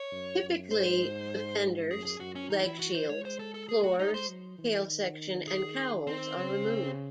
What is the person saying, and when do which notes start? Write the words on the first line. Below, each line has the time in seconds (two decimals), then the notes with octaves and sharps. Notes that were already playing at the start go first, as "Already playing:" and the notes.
Typically, the fenders, leg shields, floors, tail section and cowls are removed.
Already playing: C#5
0.12 F#2
0.42 F#2
0.71 G#2 C5
1.91 F#2 G#4
2.05 G#4
2.20 F#2 F#4
2.35 C#4
2.50 E3 D#4
2.64 E4
2.79 F#4
2.95 C5
3.09 G#3 C#5
3.25 C5
3.39 A4
3.54 A4
3.69 A3 G#4
3.83 F#4
3.99 G#3 D#4
4.14 C5
4.29 F#3
4.58 E3
4.88 D#3
5.47 G#4
6.07 D#3 C4
6.36 C#3